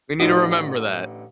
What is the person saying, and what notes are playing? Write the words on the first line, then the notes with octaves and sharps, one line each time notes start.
We need to remember that.
A1 D3 D#4 F#4 D#5